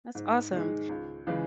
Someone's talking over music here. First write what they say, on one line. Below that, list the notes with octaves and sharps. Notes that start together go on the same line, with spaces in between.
That's awesome.
G#2
D#3 G#3
C#2
C#3 E3 G#3